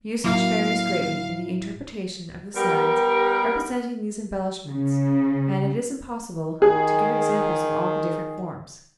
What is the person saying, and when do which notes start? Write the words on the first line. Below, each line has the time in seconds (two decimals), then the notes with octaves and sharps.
Usage varies greatly in the interpretation of the signs representing these embellishments and it is impossible to give examples of all the different forms.
0.24 A2 F#3 A#3 E4 F5
2.56 G3 B3 G4 A#4
4.70 C#3
6.62 D#3 G#4